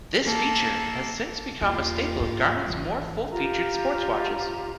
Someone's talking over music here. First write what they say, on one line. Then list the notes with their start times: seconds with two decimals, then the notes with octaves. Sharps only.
This feature has since become a staple of Garmin's more full-featured sport watches.
0.24 A#3 A4
1.61 E2 A#3 E4 F4 G4
2.20 G#2
2.67 G#1 E3
3.31 F4 G4 A#5